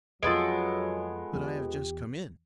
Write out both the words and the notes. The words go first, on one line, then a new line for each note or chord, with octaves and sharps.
But I have just come in.
F2 F#3 G#3 B3 F4 A4 D7
E2 G4